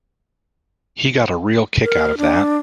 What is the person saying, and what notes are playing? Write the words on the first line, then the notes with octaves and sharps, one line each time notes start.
He got a real kick out of that.
A#4
D4